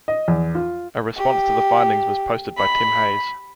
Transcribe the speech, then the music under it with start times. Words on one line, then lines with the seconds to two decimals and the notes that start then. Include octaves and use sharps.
A response to the findings was posted by Tim Hayes.
0.08 D#5
0.28 E2
0.55 F4
1.17 G4
2.57 B5